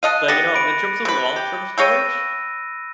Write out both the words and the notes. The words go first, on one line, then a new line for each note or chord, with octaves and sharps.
But, you know, in terms of long-term storage,
A4 D#5 F5 F#6 D#7
B3 G4 A6 A#6 C#7
B5 D7
C3 B4
G4
C#5 F5 G5 E6 A#6 D#7